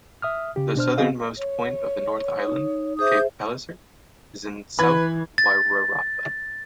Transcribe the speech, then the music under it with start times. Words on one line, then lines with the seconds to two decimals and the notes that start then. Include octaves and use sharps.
The southernmost point of the North Island, Cape Palliser is in the South Wairarapa.
0.22 E5 D#6 F6
0.56 C#3 G4
0.76 B2 D4 C5 F6
0.98 B3 C4 F#4 G#4 D#5 F5
1.38 C#5
2.40 D#4
2.99 G#4 C5 E5 D6 D#6 G6
4.79 E3 B4 B5 G#6
5.38 A6